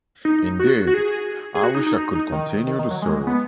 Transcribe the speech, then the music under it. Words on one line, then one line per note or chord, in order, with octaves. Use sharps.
Indeed, I wish I could continue to serve.
D#4
F#4
F#4
G#4
G#4
F#4
D#4
D#4
D#4
D#4
D#3
D#3
D#3
F#3
G#3
B3